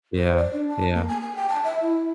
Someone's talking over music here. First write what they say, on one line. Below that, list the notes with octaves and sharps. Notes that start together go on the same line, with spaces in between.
Yeah. Yeah.
C5
D5
D4
A5
A#3
G#5
G#5
G5
A5
E5
E4